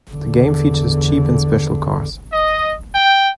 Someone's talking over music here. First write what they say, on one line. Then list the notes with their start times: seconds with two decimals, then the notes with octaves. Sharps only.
The game features cheap and special cars.
0.13 E2 D3
2.31 D#5
2.93 G5